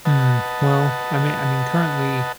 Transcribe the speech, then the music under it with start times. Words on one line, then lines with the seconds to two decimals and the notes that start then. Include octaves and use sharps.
Hmm, well, I mean I mean, currently,
0.05 B4 D#5 F#5 A5